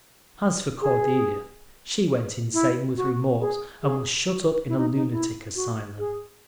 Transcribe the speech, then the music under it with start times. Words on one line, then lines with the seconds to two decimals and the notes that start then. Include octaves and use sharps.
As for Cordelia, she went insane with remorse and was shut up in a lunatic asylum.
0.81 G#4
2.53 E4
2.97 F#4
3.40 G#4
3.83 G#4
4.26 F#4
4.68 E4
4.77 D#4
4.95 D#4
5.11 E4
5.55 F#4
5.99 G#4